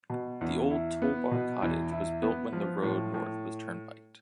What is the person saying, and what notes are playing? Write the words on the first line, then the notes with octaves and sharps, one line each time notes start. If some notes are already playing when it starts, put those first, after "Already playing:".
The old Toll Bar Cottage was built when the road north was turnpiked.
B2
E2
E4
B3
B2
E2
E4
B3
F3
A2
A2